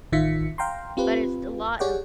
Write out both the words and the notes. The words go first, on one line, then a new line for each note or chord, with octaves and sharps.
but it's st a lot of
A1 D#3 F4 E5 B6 C#7
F5 G5 A#5 C6
C4 F4 G4 B4
G4 G#4 C#5 D5 F#5 G5